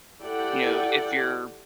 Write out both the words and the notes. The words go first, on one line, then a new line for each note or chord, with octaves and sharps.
you know, if you're,
E4 G4 A4 D5 F#5 G5